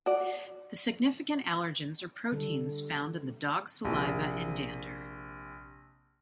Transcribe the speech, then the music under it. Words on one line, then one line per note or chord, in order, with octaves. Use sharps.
The significant allergens are proteins found in the dog's saliva and dander.
F#4 D5
D3 G3 A4
A#1 C3